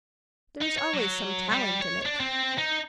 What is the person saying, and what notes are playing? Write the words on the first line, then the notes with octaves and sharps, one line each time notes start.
There is always some talent in it.
D#4
C#5
F#3
G3
C#5
D4
C4
D#4